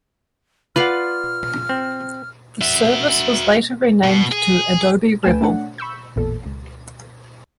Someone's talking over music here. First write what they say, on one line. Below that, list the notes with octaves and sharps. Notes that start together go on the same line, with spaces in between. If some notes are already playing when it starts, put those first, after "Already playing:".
The service was later renamed to "Adobe Revel".
F4 B4 D5 F5 F#5 F6
C4
F#4 E5
B2
G#4
D2 A3 B4 G5 G#5 E7
A3 C#4 D4 F#5
B5 C#6 E6 G6
A1 E2 A#2 A4
C#2